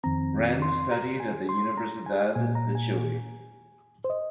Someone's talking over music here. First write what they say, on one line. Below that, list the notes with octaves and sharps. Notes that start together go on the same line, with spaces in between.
Renz studied at the Universidad de Chile.
F2 D#3 C4 A#5
C6
A#5
G#5
C6
A#5
G#5
A#2 A#3 G#5
A#5
G#5
C5
D#5